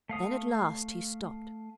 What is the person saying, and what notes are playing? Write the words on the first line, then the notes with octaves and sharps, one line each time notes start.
Then at last he stopped.
A3 F5 D#6